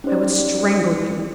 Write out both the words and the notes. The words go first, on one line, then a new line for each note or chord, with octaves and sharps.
"I would strangle you."
C#4 D#4 G4 C5 D5